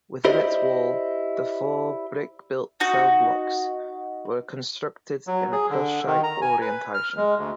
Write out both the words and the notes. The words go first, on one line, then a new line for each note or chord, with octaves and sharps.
Within its wall, the four brick-built cell blocks were constructed in a cross-shape orientation.
E4 G4 C5 D5 D#5
D#4 F#4
F#3
G#4
D3
D#3
A#5
G#5
B4
F6
G#3
D2